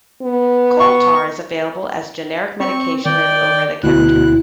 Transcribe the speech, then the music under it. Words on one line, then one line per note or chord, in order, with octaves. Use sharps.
Coal tar is available as a generic medication and over the counter.
B3
C#6
C4 C#6
D#3 D5 G5
D2 B2 E4 F#6